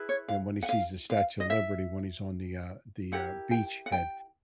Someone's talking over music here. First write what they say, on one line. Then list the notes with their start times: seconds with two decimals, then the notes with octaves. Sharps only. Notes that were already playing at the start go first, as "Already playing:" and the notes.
you know, when he sees the Statue of Liberty when he's on the, uh the, uh, beachhead.
Already playing: E4 G#4 B4
0.09 C#5
0.28 F5
0.63 F#5
0.69 F5
1.10 F5
1.40 D#5
1.50 E5
3.12 E4 G4 A#4 F#5
3.51 G5
3.86 F#5
3.92 G5